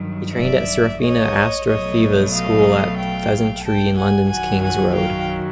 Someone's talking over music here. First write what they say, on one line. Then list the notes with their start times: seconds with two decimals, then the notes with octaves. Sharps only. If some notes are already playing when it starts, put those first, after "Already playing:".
He trained at Serafina Astafieva's school at The Pheasantry in London's King's Road.
Already playing: G2 D#3 F#3
0.35 D5 E5
1.01 C#5 D#5
1.66 B2 F#3 A3 C#5 D#5
2.32 D#5 F5
2.97 F5 G5
3.63 G5 A5
3.96 F#5 G#5
4.28 F#2 D#3 F#3 F#5 G#5
4.61 F#5 G#5
4.94 F5 G5